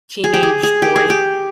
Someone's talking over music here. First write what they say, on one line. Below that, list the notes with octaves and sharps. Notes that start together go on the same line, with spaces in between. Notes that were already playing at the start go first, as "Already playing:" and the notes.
teenage boys,
G#4
G4
G#4
G#4
G4
G#4
G4